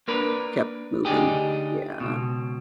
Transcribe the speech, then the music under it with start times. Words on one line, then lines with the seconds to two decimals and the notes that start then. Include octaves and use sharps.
kept moving. Yeah.
0.08 A#3 D4 A#4 B4
1.05 D2 D4 D#4 G4 G#4
2.00 C#2 B2